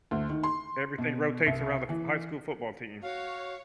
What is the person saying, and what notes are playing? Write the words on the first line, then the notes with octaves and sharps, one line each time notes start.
everything rotates around the f high school football team.
D2
D#3
C6
B2
C2
E3
F#4 C#5 F5